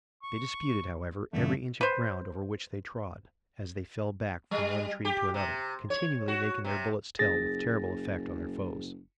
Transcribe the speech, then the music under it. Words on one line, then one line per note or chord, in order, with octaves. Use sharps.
They disputed, however, every inch of ground over which they trod, as they fell back from one tree to another, continually making their bullets tell with terrible effect on their foes.
C#6
E2 G2 C#3 A3
B4 C5
G3
G4
C3
C#5
F#4
C3
F#1 G#4 A6 A#6